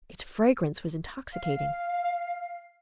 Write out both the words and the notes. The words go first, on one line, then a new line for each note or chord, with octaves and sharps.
Its fragrance was intoxicating.
F5